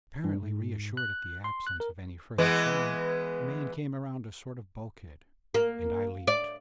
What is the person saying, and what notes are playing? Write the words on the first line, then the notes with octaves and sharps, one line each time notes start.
Apparently reassured at the absence of any further sound, a man came around a sort of bulkhead--and I leaped.
G2
G#2
F#6
C6
F#6
A#4
E3 G#3 B3
A#3
D5